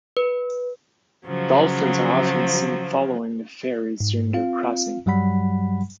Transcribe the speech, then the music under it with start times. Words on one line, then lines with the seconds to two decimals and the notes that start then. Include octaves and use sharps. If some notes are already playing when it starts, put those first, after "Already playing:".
Dolphins are often seen following the ferries during their crossing.
0.17 B4
1.27 C#3 F3 F#3
4.00 G#2
4.33 C4 F4 F5
5.06 G2 F#3 G3 F#5 B5 B6